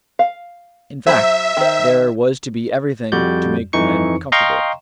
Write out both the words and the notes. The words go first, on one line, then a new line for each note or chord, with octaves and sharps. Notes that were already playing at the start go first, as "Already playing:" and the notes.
In fact, there was to be everything to make the men comfortable.
F5
F#3 C5 E5 B5
D#3 C5
F2 G3 F#4 D5 G6
F2 E3 D#4 C#6 C#7
D#5 F5 G5 A#5 C6 C#6